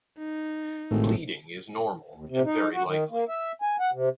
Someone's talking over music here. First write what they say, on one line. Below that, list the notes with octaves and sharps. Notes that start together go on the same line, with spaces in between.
Bleeding is normal and very likely.
D#4
G#1 A2
D#2
C3
D#4
F#4
D#3
A#3
E5
G#5
F#5
C3